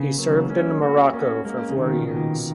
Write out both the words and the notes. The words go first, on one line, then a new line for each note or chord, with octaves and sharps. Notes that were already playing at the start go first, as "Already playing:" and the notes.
He served in Morocco for four years.
Already playing: C#3 A#3 B3
F#3 A#3
B3
A#3
G#3 C#4
A#3 F#4
A#3 C#4
G#3 A#3
C#3
D#3
B2
B2 D#3
A#2